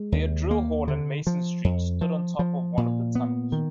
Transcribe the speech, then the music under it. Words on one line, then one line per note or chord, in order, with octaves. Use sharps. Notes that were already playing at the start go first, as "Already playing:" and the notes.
Their drill hall in Mason Street stood on top of one of the tunnels.
Already playing: G#3
D#2
A#3
D3
F3
F2
F3
F3
A#2
B3
D#3